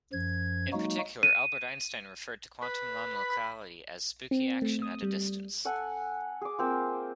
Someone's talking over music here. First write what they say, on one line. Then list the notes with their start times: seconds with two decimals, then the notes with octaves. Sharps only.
In particular, Albert Einstein referred to quantum nonlocality as "spooky action at a distance".
0.13 F#2 F3 G#6
0.73 F#3 G#3 A#3 D#4 F#4
1.23 D#7
2.62 B4
3.16 B5
4.31 C4
4.62 A3
4.82 D#6
5.02 G3
5.65 A4 F#5 G#5
6.41 G#4 D6
6.58 A#3 C4 F4